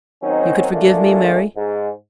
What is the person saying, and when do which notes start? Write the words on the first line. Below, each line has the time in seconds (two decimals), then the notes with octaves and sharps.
"You could forgive me, Mary?"
0.23 D#3 F#3 C4 C#4 D#4
0.72 F#2 A#2 D3 G#3 A3 D4
1.57 G#2